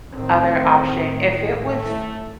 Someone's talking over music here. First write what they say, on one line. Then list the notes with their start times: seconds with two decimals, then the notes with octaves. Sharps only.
other option, if it was
0.13 A1 A2 D#3 C4
1.66 A3